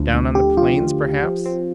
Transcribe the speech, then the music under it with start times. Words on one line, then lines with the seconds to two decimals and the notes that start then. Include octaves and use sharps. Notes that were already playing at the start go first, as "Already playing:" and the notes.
Down on the plains, perhaps?
Already playing: D2 D3 F3
0.13 D2
0.35 D3 G4
0.57 F3 F4
0.80 D2
1.02 D2
1.23 F3
1.46 C4